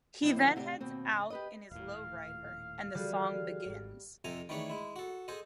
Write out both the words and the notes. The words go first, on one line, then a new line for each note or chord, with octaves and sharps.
He then heads out in his lowrider and the song begins.
E3 C4 D#5
C3 D#3 F#3 D4 E4 C5
D2 C3 E4 F#4 G4 D5
D#2 B2 C4
C#3
G4 B4 D#5
D#1 A2 F5
D3 E3 F3 G3 F#4 G#4 A4
G#1 G#2
F2 C3 A4 G#5 A#5
D#3 E3 A3 D4 G#4 C#5
G#3 E4
F#4 A4
G#4 A4 C5 D#5